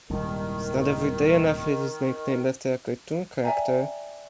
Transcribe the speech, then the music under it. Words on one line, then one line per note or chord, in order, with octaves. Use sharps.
It's not every day an athlete is nicknamed after a cartoon character!
D#1 C2 G#2 D#3
D5 E5 G5 G#5 A#5